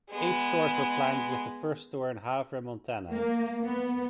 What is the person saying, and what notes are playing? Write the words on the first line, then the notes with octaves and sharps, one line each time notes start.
Eight stores were planned with the first store in Havre, Montana.
G#3 B3
A#3
B3